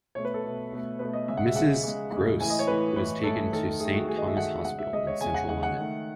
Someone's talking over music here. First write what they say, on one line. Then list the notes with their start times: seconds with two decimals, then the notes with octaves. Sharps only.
Mrs Groce was taken to Saint Thomas' Hospital in central London.
0.15 B2 A3 C#5
0.25 B4
0.34 A4
0.44 B2 A3
0.72 B2 A3
0.99 B2 A3 B4
1.13 D#5
1.28 C#3 G#3 E5
1.37 F#5
1.47 E5
1.55 C#3 G#3 F#5
1.83 C#3 G#3
2.12 C#3 G#3
2.40 A2 E3 A3 G#5
2.50 D#5
2.59 C#5
2.67 A2 E3 A3 B4
2.96 A2 E3 A3 B4
3.24 A2 E3 A3 A4
3.52 D#3 A3 A4
3.80 D#3 A3 G#4
3.94 F#4
4.08 D#3 G#4
4.12 A3
4.17 D#5
4.27 E5
4.37 D#3 A3 F#5
4.64 C#3 G#3 F#5
4.79 E5
4.93 C#3 G#3 D#5
5.07 C#5
5.21 C#3 G#3 G#5
5.34 F#5
5.48 C#3 G#3 F#5
5.63 F#5
5.76 D#3 A3